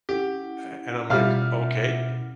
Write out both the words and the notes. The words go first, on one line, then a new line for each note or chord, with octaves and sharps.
Eh a and I'm like, "Okay.
C#4 E4 G4 F#5
B2 G3 F4 E5 F5 F6